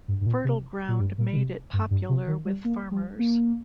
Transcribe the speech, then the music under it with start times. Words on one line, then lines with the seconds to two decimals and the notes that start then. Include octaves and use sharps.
Fertile ground made it popular with farmers.
0.08 G2
0.21 G2
0.26 A#2
0.44 C3
0.88 A#2
1.00 G2
1.18 A#2
1.33 D#3
1.37 C3
1.73 G2
1.91 G2
2.09 C3
2.28 D#3
2.46 G3
2.65 A#3
2.91 G3
3.19 A#3